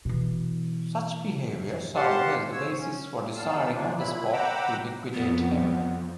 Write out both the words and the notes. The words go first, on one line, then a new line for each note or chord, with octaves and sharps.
Such behavior served as the basis for deciding on the spot to liquidate him.
B2 E3
G4 F5 F#5 A5 C6
F3 C#5 E6
C#4
E2 G3 A4 F5 E6
G#2 F3 A#3 D4
A#2 E4 B5
F#5 G5 A#5 B5 D6 E6
F2 B3